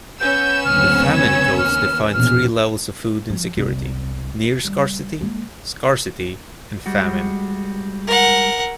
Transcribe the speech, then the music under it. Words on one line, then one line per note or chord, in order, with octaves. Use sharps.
The Famine Codes defined three levels of food insecurity: near-scarcity, scarcity, and famine.
B3 C#4 E6 G6
F#1 D2 C4 F6
G#6
D#2 F6
A#1 E2 B2 F6
F3
E1 C2
G3
G#3 A#3
G3 G#3 F#4
A#4 F#5